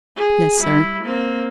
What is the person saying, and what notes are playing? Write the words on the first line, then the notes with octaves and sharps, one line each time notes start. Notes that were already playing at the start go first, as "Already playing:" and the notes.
"Yes, sir."
G#4
G3 E4
A#3 C4